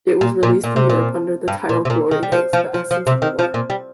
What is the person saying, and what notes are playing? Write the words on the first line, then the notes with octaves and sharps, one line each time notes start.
It was released in Europe under the title Glory Days: The Essence of War.
A#2
A#2
A#2
C3
A#2
G2
A#2
C3
A#2
D#3
G3
F3
F3
F3
F3
C3
D#3
F3
A#2
G3